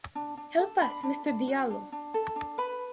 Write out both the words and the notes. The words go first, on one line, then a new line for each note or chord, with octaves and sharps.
Help us Mister Diallo!
D4
D4
A4
D4 B5
D4
D4
F#4
D4
D4
A4
D4
B4 B5